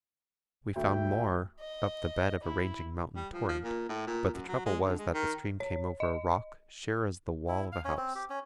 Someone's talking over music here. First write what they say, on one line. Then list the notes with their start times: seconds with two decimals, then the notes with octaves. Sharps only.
We found more up the bed of a raging mountain torrent; but the trouble was that the stream came over a rock sheer as the wall of a house.
0.76 D2 E5 G5
1.61 D#5
2.43 E4
3.16 G3
3.33 F3
3.49 F3
3.63 A#2
3.89 A2
4.07 A#2
4.34 F#2
4.48 F#3
4.66 G#3
4.85 D3
4.98 G#3
5.14 D#3
5.60 C#5
6.00 D#5
7.48 E4
7.72 F5
7.85 C#4
7.97 C4
8.15 G4
8.30 C#4